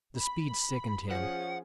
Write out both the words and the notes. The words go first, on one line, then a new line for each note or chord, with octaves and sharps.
The speed sickened him.
B5
F3 C#4 G#4 F#5